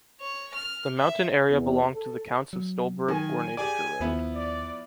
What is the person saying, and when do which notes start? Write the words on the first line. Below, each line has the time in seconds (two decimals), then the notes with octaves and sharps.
The mountain area belonged to the counts of Stolberg-Wernigerode.
0.21 C#5
0.55 F6
0.98 E5
1.50 E2
1.94 A4
2.53 F#3
3.08 D#3 G#5
3.57 G4 G#4 D5 G#5
4.00 D#2 F3 B3 E4
4.34 D5